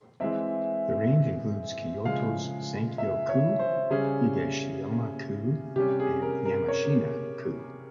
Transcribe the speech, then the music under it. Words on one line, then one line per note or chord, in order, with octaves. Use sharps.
The range includes Kyoto’s Sakyo-ku, Higashiyama-ku, and Yamashina-ku.
E3 G#3 C4 E5
C#3 F3 G#3 F5
E5
C#5
C5
C#3 G3 C#4 G#4
C3 G3 C#4 G4
G#4
A#4
A#4
C#5